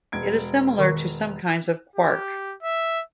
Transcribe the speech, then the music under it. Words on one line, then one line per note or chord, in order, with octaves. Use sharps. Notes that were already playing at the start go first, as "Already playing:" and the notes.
It is similar to some kinds of quark.
E1 G#6 D7
D#3 A#4 C#6
G4
E5